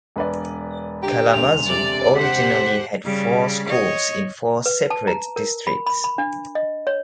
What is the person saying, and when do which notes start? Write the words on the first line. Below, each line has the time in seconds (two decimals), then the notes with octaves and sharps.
Kalamazoo originally had four schools in four separate districts.
0.16 E1 B4 D5
1.03 D3 G4 A#5
1.33 E1 D2 F7
1.67 C3 D5
2.16 G4 C5 F#5 B6
3.04 C#3 G3
3.67 C#5 D#5
4.66 B4
4.90 A5
5.07 A#5
5.36 A#4
5.67 B5
5.86 B5
6.04 B5
6.18 D4
6.55 D#5
6.87 C#5